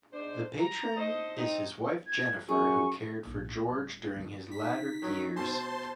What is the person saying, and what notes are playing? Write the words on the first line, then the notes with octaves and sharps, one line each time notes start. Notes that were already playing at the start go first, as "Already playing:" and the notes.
The Patron is his wife Jennifer, who cared for George during his latter years.
G#2 D4 C5
A#5
D#4 A4 C5 D#5
C4 D#4
G#6
F#2 G#4 C#6
A#1 G#2
D1 G3
D3 D#3
D#4 B6
D#3 F#3
B2 C5 A5 C6